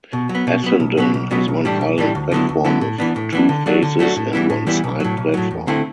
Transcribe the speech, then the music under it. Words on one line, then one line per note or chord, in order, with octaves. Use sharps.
Essendon has one island platform with two faces and one side platform.
B2
F#3
B3
B2
F#3 B3
B1
B2 F#3 B3
B1
B2 F#3 B3
B1
A2 E3 G3 D4
B1
A2 E3 G3 D4
D2
D3 F#3 B3 E4
D2
D3 F#3 B3 E4
A2
E3 B3 D4
A2
E3 B3 D4
D3
F#3 A3 D4 F#4
D3
F#3 A3 D4 F#4
A2
E3 G3 B3 E4
A2
E3 G3 B3 E4
B1
A2 F#3
B1
A2 F#3
E2
D3 A3 C4 E4